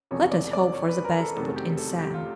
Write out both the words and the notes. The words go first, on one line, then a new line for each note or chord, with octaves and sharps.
"Let us hope for the best," put in Sam.
E1 E2 C3 F3 C#5
D5
D5
C#5
B4
A#4
A4
F1 E2 C3 D#3 F#3 A4
G4
A4
G4
F4